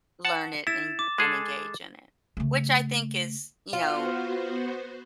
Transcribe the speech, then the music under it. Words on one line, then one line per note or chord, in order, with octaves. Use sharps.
learn it and and engage in it, which I think is, you know
F#5 A5
E4 A6 E7
D6
G#3 G#4 A4
C#3 A3
B3 F4 F#4 C5